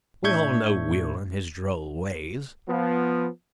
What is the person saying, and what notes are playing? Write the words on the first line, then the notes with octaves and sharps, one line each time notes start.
"We all know Will and his droll ways."
A2 D4 E5 C#6 G6 G#6
F3 B3